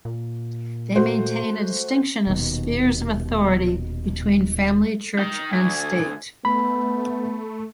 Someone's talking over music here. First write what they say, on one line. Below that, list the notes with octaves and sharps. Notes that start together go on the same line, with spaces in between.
They maintain a distinction of spheres of authority between family, church, and state.
A#2
A3 F#4 C5
D#1 D#2 B2
D#4 G5
D2 G#5
A3 B3 B5